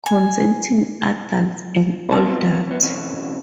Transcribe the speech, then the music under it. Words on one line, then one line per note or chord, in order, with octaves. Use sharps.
Consenting adults and all that.
G#5
C2 B3 C4 A#4 A5
G2 C3 F#3 B3 C4 F4
F#2 B3
B1 F#2 E3 C4 C#4